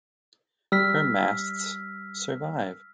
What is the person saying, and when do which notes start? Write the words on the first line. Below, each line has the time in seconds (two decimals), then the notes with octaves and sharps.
Her masts survive.
0.72 G3 E6 F6 B6